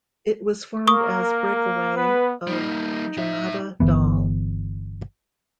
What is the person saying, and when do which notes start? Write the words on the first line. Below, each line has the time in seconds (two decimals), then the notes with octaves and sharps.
It was formed as breakaway of Janata Dal.
0.87 A#3 A#4 C#6 D#6
1.96 B3 B4
2.47 G3 A#3 D#4
3.17 A2 E5
3.80 G1 F#2 E3 B3